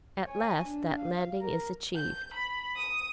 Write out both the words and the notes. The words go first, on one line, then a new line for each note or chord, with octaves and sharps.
At last that landing is achieved.
C#5 G#5
D4
F5
A#4
G6
B5
D#6